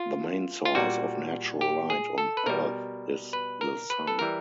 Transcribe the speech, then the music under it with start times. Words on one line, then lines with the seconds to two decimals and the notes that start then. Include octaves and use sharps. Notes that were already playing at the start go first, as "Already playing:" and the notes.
The main source of natural light on Earth is the Sun.
Already playing: F4
0.65 F4
0.75 A#2 G3 F#4
1.61 G4
1.90 G#4
2.18 A4
2.37 B4
2.46 B2 G3 A#4
3.33 B4
3.61 A#4
3.90 B4
4.07 A4
4.19 E3 G3 A#4